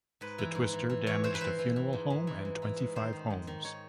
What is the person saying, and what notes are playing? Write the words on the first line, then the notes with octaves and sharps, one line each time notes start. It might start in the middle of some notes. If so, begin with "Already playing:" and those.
The twister damaged a funeral home and twenty-five homes.
G#2 B4
E3
G#2
E3
E3
E3 C#5
E3 C5
B4
E3 C5
E3
E3
G#2
G#2
E3
G#2
E3
G#2
D#3 C5
D#3
G#2
D#3
D#3 C#5